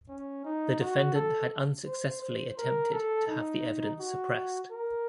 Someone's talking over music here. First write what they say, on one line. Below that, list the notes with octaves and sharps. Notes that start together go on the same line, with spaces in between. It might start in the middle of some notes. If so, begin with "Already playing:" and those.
The defendant had unsuccessfully attempted to have the evidence suppressed.
C#4
D#4
F#4
A4
C5
C5
A#4
A4
D#4
F#4
A#4